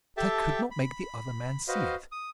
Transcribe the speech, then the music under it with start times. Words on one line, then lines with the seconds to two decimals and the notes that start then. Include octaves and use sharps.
But I could not make the other man see it.
0.17 G4 A4 E5 G5 A5
0.71 B5
1.68 F#4 B4 C5 D#5 F5
2.12 D#6